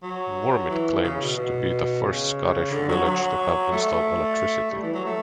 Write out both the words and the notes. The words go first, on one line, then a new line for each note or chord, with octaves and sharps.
Wormit claims to be the first Scottish village to have installed electricity.
F#3
E3
C#3
B2
B2
C#3
D3
F#3
F#3
A3
G3
E3
F#3
A3